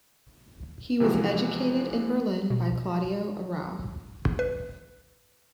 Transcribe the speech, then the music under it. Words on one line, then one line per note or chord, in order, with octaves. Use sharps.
He was educated in Berlin by Claudio Arrau.
C3 E3 F3 G#3 F#4
B2
B4